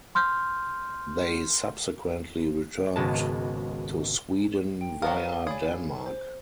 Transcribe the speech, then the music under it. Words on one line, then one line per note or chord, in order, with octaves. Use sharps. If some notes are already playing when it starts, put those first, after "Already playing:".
They subsequently returned to Sweden via Denmark.
C6 F6 G6
G#1 C#2 B2 G#3 A5
G5
F#3 B3 A#4 F5
G#4 C#5 D5 B5
C5